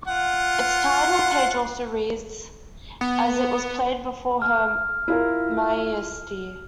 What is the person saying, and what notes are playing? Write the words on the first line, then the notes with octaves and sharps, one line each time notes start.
Its title page also reads: As it was played before her Maiestie.
F4 F#5
B3
F6
E4 F4 A#4